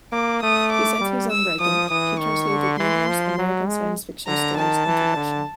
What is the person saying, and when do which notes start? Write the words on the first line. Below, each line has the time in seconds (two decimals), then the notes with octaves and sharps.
Besides his own writing, he translated numerous American science fiction stories into Russian.
0.12 A#3 D6
0.42 A3 D#6
0.72 D6
1.01 G3
1.31 E6
1.60 F3 D#6
1.90 E3 D#6
2.20 D#3 C#6
2.49 D3
2.79 E3 C6
3.08 F3
3.38 F#3
3.68 G#3
4.27 D3 A#5
4.57 D#3 A5
4.86 E3
5.17 D3